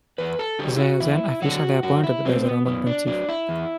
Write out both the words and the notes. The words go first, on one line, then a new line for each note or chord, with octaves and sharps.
They are then officially appointed by the Roman Pontiff.
E2 B4
A4
D3 F#3 G4
E4
F#4
E2 E4
D3 F#3 F#4
F#2 F#4
E4
F#3 C4
A3
B3
F#2 B3
D4
F#3 D4
E4
E2